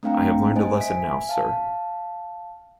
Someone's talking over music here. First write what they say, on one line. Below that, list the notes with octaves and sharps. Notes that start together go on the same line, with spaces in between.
I have learned a lesson now, sir.
A3 C4 D4 F5 G5 A#5
C5 D#5 G#5
E5 G#5 B6
F5 A5